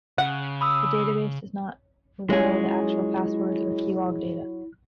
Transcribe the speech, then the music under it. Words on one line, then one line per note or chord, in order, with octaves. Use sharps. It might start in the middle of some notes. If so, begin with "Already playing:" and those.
The database does not reveal the actual passwords or keylogged data.
C#3 F#5
B5 D#6 E6
F#3 G#3 C#4 E4 F4 G#4